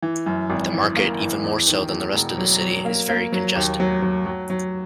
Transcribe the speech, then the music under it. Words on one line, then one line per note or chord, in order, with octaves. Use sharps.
The market, even more so than the rest of the city, is very congested.
E3
F#2
G#1
E3
A#3
E3
E2
D#3
E2
E1
F#3
F#3
A#3
A#3
F#3
D#2
F#3
F#3
F#3
F#3